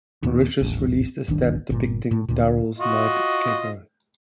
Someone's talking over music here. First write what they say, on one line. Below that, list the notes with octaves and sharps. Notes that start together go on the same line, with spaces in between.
Mauritius released a stamp depicting Durrell's night gecko.
D#2 A#2
D#1 A1
D1 G1 D#3 D4
G1 A#2
A2
D2 A#2
F4 F#4 D#5